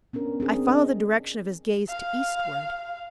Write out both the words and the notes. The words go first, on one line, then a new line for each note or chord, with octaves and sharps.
I follow the direction of his gaze to eastward!
B3 C#4 D4 A#4
C4 D4 G#4
C#4 D4 D#5
F5